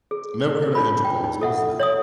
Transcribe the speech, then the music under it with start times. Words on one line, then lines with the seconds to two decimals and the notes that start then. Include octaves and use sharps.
Never heard of andropause, what is that?
0.11 G#4
0.75 D4 F4 B5
1.05 G5
1.24 D#4
1.41 A4 E5 F#5
1.80 C#5 E5 D#6